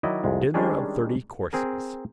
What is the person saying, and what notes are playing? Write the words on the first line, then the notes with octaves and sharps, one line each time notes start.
Dinner of thirty courses.
D#3 F#3 E4 D5 D#5
C2 F2 G#3
D#3 G3 G#3 C#4 D4 G#4
C4 G#4 A#4